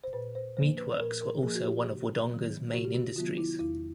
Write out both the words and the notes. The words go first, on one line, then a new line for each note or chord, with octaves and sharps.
Meatworks were also one of Wodonga's main industries.
C5
A#2 B4
C5
F3 A#3 C5
B4
A#2 A#4
A#4
F3 A#3 G#4
F#4
G4
C3
D#3 F#3 B3
C3 F#4
G4
F#4
D#3 F#3 B3 F4
E4
E2 E4